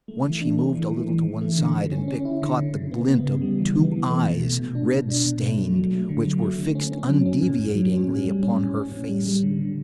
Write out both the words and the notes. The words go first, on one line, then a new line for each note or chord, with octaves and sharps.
Once she moved a little to one side and Vic caught the glint of two eyes, red-stained, which were fixed undeviatingly upon her face.
A3
E3
D4
A3
E3
E3
E3
E3
A3
D3
D3
C#4
C#4
E4
D3
D3
C#3
B3
B3
C#3
G3
E3
B3
E3
A3
B2
B2
B2
D4
B2
D4
B2
A3
F#3
F#3
A3
D3
F#3
A3
D3
C#4
C#4
F#3
C#4
A2
A2
F#3
C#4
A2
G3
C#4
A2
C#4
A2
G3
G3
D3
D3